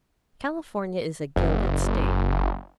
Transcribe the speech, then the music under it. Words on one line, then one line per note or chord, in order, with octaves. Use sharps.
California is a gilded state.
F#1